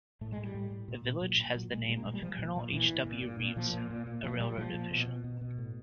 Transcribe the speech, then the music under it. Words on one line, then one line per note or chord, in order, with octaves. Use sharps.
The village has the name of Colonel H. W. Rives, a railroad official.
A2 A3
G#3
A2
G3
A2
A2
A#2
A#2
A#2 F#3
A#2
A#2 F#3
A#2 G#3
A#2 G#3
A#3
A#2 G#3
G3
A#2 F3
A#2 F3
A#2 F3
A#2 E3
A#2
A#2
A#2
A#2
A#2 F3
A#2
A#2
A#2
A#2 F3
A#2 G3
A#2 F3
A#2
B2
B2
B2
B2
A2